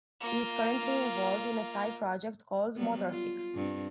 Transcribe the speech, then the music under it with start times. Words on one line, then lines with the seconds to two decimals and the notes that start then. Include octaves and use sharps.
He is currently involved in a side project called "Motorhick".
0.21 A#3 F4
2.76 F#3 G3 B3
3.09 F4
3.55 G2 C4